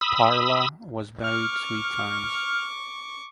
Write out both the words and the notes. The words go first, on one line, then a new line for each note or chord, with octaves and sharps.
Parla was married three times.
B5 D#6 E6
C#6 D6 F6